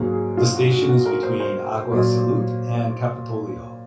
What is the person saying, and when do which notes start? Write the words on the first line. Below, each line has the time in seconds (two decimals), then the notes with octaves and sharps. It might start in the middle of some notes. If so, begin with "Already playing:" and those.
The station is between Agua Salud and Capitolio.
Already playing: G#2 F#3 A#3 G#4
0.12 G#4
0.37 F4
0.55 F#4
0.71 F#4
0.89 F#4
1.06 A#4
1.23 C5
1.40 C5
1.92 A#2 F#3 A#3